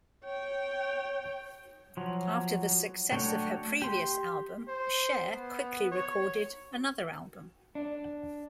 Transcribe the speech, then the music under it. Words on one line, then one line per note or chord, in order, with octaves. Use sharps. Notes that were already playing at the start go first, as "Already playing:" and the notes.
After the success of her previous album, Cher quickly recorded another album.
C#5 G5
F3 F#3
F#3 A3 D4 C#5 G5
G4 C6
C5
B3
C#5
D4